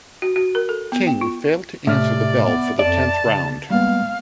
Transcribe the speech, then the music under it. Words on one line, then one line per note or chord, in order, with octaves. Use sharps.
King failed to answer the bell for the tenth round.
F#4
F#4
A#4
A4
B3
G5
F4
A2 C3 D5 E5 F6
B3
F2 D5 A5
C#3
G3 G#3 A#3 B3 F5